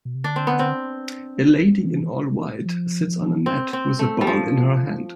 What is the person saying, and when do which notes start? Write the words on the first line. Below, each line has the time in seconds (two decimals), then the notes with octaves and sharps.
A lady in all white sits on a mat with a ball in her hand.
0.05 B2
0.15 C3
0.24 D3 D4
0.36 C4
0.47 B3
0.59 C4
1.85 E3
2.65 F3
3.46 C4
3.73 C4
3.99 A3
4.21 G3
4.27 F3